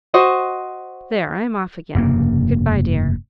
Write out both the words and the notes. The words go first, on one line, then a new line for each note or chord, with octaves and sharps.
There, I am off again.... Good-bye, dear.
F#4 C5 D#5
F1 G2 C#3 A#3